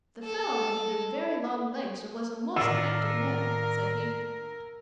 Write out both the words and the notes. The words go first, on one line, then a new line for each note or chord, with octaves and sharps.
"The fellow had either very long legs or was a most active man," said he.
A4
A2 D#3 D4 F4 A4 A#4 E6